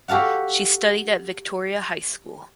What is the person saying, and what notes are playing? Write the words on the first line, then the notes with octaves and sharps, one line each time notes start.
She studied at Victoria High School.
F#4 G4 A4 F5 F#5